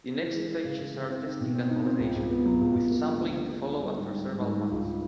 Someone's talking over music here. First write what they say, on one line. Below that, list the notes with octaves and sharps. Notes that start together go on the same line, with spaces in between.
The next stages are testing and validation, with sampling to follow after several months.
E3
G#3
E3
C#3
C#3
C#3
C4
D#4
B2
C4
D#4
C4
C#2
C#2
B3
F#3
C#2
C#2
A#3
D3
D3
D3
D3
D3
G3
G#2
G#2
G#2
G#2
G#2
C#2